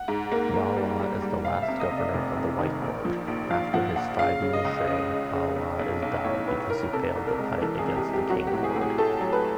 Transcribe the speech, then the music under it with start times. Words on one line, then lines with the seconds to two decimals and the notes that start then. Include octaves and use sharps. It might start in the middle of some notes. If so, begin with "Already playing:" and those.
Ba La is the last governor of the White Horde.After his five years’ reign, Ba La is died because he failed to fight against the King Horde.
Already playing: F#5
0.08 G#2
0.32 A#3
0.54 A#3
0.76 G3
1.00 G3
1.22 G3
1.45 F1 F5
1.62 E5
1.68 C3
1.80 D#5
1.91 C3
1.97 D5
2.14 F1
2.37 F2
2.59 D#3
2.82 A#1
3.05 F3
3.28 A#1
3.50 F3 F5
3.74 F3 F#5
3.96 A#1 F#5
4.19 C#3 F5
4.42 C#3
4.53 D#5
4.65 C#2
4.87 C#3 D#5
5.11 C#3
5.33 C#3
5.56 B1
5.79 B1
6.02 B1
6.25 A2 C#5
6.47 B1 B4
6.70 B1 A#4
6.93 C3 A4
7.16 C2
7.27 A#4
7.39 G#3
7.61 E3 A4
7.79 G#4
7.84 C3
7.96 G4
8.07 G#3
8.13 G4
8.30 F#3 F#4
8.47 G4
8.53 A2
8.64 G#4
8.76 A2
8.81 G#4
8.98 A3 A4
9.21 F#3
9.33 B4